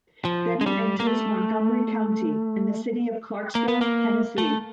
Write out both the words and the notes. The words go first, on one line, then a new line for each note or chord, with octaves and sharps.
Then it enters Montgomery County and the city of Clarksville, Tennessee.
F3
G#3
G3
A#3
A3
A#3
B3
A#3
A3